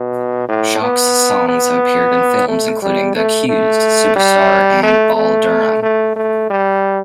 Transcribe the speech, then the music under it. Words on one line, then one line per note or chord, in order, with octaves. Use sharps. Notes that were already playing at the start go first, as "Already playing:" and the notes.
Schock's songs have appeared in films including "The Accused", "Superstar", and "Bull Durham".
Already playing: B2
A2
B3
B3
A3
G3
A3
A3
G3
A3
A3
A3
A3
G3